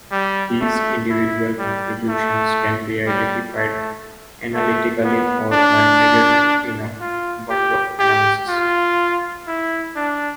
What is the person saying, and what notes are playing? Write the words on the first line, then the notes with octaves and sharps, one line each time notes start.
These individual contributions can be identified analytically or by measurement in a Bundorf analysis.
G3
A3
E4
G3
A3
G3
A3
A3
B3
D4
F4
G4
G4
F4
E4
D4